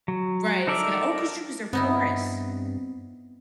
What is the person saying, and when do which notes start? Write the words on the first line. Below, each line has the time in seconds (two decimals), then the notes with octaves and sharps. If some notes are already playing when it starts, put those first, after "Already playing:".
Right, it's gonna Oh, 'cause True, 'cause they're porous.
0.08 F#3
0.67 D#4 A4 A#4 D5 E5
1.73 G2 B3 C4 D#4 E4